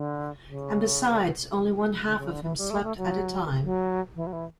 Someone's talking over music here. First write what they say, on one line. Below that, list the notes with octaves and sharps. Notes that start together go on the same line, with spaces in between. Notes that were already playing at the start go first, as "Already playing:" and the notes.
And besides, only one half of him slept at a time.
Already playing: D3
C#3
D3
C#3
D3
E3
G3
A3
A3
F#3
F#3
E3
F#3
E3